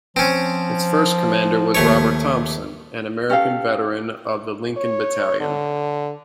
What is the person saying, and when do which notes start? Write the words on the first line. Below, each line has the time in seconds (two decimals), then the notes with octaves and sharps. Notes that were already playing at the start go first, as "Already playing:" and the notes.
Its first commander was Robert Thompson, an American veteran of the Lincoln Battalion.
0.16 F3 C4 C#4
1.75 D#2 A3 C#5
3.30 C#4 G4 A4 F5
4.77 C#5
5.40 D3